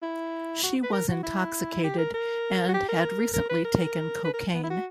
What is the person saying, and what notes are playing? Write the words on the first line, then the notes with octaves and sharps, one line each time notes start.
She was intoxicated and had recently taken cocaine.
E4
F#4
B4
A#4
F#4
E4
G4
A#4
A#4
F#4
G4
A#4
A#4
B4
A#4
B4
A#4
B3
E4
F#4